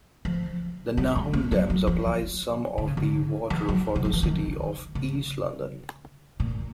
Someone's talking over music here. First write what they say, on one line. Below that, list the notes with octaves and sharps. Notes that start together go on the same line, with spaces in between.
The Nahoon Dam supplies some of the water for the city of East London.
F3
G3
G#3
A#3
F#3
F#3
F3
D3
C#3
D3
E3
F#3
C#3
F3
E3
D#3
C#3
A#2